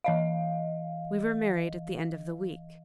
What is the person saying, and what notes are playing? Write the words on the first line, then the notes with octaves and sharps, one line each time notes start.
We were married at the end of the week.
E3 D#5 F5